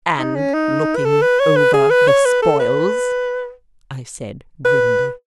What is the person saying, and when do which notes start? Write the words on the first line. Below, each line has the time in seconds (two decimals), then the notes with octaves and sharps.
"And looking over the spoils!" I said grimly.
0.19 D#4
0.36 C#4
0.54 D#4
0.96 B4
1.05 A4
1.22 B4
1.40 C#5
1.56 B4
1.74 G#4
1.91 B4
2.08 C#5
2.25 B4
2.42 A4
2.59 B4
4.65 B4